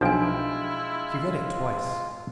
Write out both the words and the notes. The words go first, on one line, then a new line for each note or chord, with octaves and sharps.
He read it twice.
B1 F3 G#3 D4 E4 F4 G5 G#5